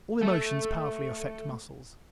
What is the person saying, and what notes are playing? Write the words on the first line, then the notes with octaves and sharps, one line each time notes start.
All emotions powerfully affect muscles.
A3 A4